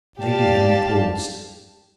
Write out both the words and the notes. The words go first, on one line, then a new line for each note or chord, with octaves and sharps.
Lady Henry paused.
G4 D5 F5 A5